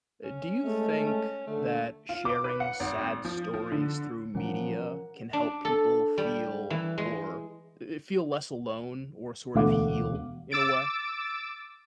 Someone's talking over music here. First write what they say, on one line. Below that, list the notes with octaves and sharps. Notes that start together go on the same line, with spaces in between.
Eh, do you think that sharing sad stories through media can help people feel, or eh, feel less alone, or sort of heal, in a way?
C#4
G#3 A3
C#4
D3 A3
F4
D6
B4
F#5
G#1
F3
F3
D3
A#2 E3 F3 G3 C#4 A#4 F#5
D4
A4
G3
E3
G#3
E1 D2 A3 F5 F#5 D6
D6 E6 A6 D7